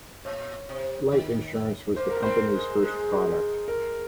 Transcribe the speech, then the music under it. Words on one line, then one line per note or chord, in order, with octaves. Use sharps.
Life insurance was the company's first product.
A#2 C#5
C3
D#3
A#3 C5
A#4
C4 C5
G#3
G#3
A#4